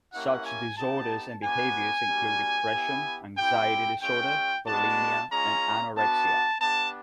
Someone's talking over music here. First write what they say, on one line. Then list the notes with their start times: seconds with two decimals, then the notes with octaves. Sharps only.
Such disorders and behaviors include depression, anxiety disorder, bulimia and anorexia.
0.12 A#3 C#4 E4 G4 F#5
0.45 G#5
0.77 B3 D#4 G4 A5
1.42 B3 D4 F#4 G#5
2.07 G3 A#3 D4 F#4
2.72 B3 E4 G4
3.37 C4 E4 G4 G5
4.01 G#3 C#4 F4 G5
4.66 G#3 B3 D4 F#4 A5
5.31 G#3 C#4 F4 A#5
5.96 B3 D4 F#4 A5
6.61 B3 D4 G4 A5